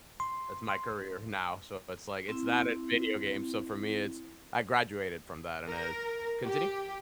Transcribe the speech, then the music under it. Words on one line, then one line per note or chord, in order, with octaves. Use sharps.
That's my career now, so it's, like, it's that and video games, so for me it's I graduated from that, and it continue.
C6
C6
C4 E4
A#4
G4